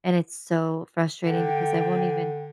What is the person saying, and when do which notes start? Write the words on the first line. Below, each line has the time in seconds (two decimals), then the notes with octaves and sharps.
and it's so frustrating because I won't even
1.25 D3 G5